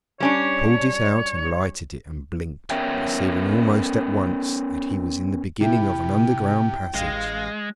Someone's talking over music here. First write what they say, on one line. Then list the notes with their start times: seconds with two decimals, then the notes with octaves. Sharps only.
He pulled it out and lighted it and blinked, perceiving almost at once that he was in the beginning of an underground passage.
0.20 G3 C#4 D4 C#5
2.70 B3 C#4 A#4 C#5 E5 G5
5.61 C3 E4 G5
6.94 A1 G#3 F5 A#6